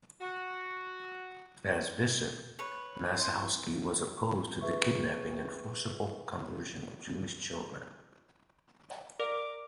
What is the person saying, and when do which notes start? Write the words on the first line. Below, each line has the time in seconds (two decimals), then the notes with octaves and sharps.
As bishop, Massalski was opposed to the kidnapping and forcible conversion of Jewish children.
0.21 F#4
2.59 B4 C#5 B5
3.15 F3 C4 E4 C6
4.61 G#4 B4 E5 C#6
9.20 A#4 D5 F5 D6